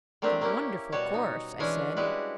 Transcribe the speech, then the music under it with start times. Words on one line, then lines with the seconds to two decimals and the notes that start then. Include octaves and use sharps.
"It's a wonderful course," I said.
0.22 G3 A3 A#3 C4 D4 G4
0.41 A#3 C#4 E4 G4
0.92 B2 G3 F#4 C#5 A5
1.14 D#4
1.60 E3 G#3 C#4 D4 G#5
1.96 G3 G#3 E4 F#4 B4